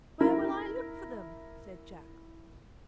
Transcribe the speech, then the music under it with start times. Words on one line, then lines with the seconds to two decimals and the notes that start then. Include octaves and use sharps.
"Where will I look for them?" said Jack.
0.21 E4 A#4